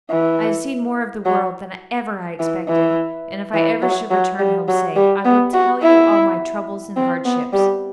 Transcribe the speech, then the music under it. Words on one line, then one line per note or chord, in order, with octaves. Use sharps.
I have seen more of the world than ever I expected, and if I ever should return home safe, I will tell you all my troubles and hardships.
E3
F#3
E3
E3
E3
F#3
F#3
G3
F#3
G3
B3
F#4
E4
C4
B3
G3